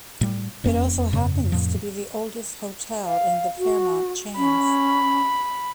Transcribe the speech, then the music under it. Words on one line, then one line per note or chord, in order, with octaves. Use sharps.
It also happens to be the oldest hotel in the Fairmont chains.
A2 G3
E1 F2 A#3 C#4
G2 C#3
A2 F3
F5
F#4
C#4 B5